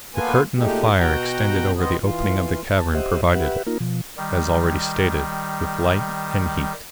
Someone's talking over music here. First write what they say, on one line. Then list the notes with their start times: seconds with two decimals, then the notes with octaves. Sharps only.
The curtain of fire extending over the opening of the cavern provided it, as already stated, with light and heat.
0.15 A#3 B3 F4 A4 B4 G#5
0.56 A#2 G#3 A3 D#4 G4
0.99 B2 F#4 F#5 G5 A#5
1.75 B3 C4 D#5
2.00 E3 F4
2.77 A5
2.94 G4 C5 D#5 E5 F#5
3.34 G4 B4 E5 F#5
3.67 A#3 D#4 F4 A#4
3.80 B2 F3
4.17 D#3 G3